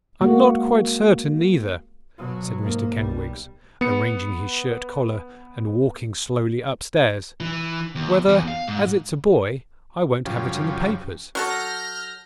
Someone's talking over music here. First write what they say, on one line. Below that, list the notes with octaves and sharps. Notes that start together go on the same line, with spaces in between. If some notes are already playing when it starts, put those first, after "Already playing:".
'I'm not quite certain neither,' said Mr Kenwigs, arranging his shirt-collar, and walking slowly upstairs, 'whether, as it's a boy, I won't have it in the papers.'
G#3 A#3 F#4
B2 F#3
G#2 A#3
B1 G3
B3 C#7
E3
D#2
E2
F5
G#2
F#2 C#3 F3 G3
F#3 F#4 A4 F6 G6 A#6